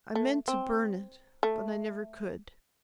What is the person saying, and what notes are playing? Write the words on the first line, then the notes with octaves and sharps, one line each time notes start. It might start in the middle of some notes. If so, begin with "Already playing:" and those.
I meant--to burn it--but I never could.
A3
C4
A3